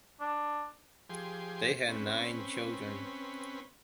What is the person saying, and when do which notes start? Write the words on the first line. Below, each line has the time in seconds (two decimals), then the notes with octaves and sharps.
They had nine children.
0.20 D4
1.10 F3 G4 G#4 C6
1.89 C4 C#4 B4